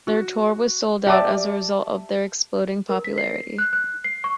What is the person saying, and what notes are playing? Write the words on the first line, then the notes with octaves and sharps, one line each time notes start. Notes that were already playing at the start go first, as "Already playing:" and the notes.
Their tour was sold out as a result of their exploding popularity.
F#4
G4 D5 E5 A5
A#4
B6
C7
F#6
F#6
C7
C#6